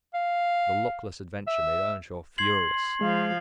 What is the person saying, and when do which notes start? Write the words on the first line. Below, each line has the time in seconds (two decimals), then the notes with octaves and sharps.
The luckless adventure made Earnshaw furious.
0.14 F5
1.47 E5
2.38 C6 G#6 C7 F#7
3.01 F3 G#3 F5